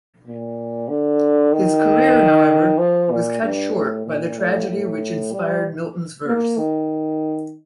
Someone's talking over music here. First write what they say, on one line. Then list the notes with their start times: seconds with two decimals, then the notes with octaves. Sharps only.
His career, however, was cut short by the tragedy which inspired Milton's verse.
0.26 A#2
0.89 D3
1.53 D#3
2.78 F3
3.11 A#2
3.42 G2
3.73 A2
4.06 A#2
4.37 A2
4.69 A2
5.33 G3
6.26 A#3
6.58 D#3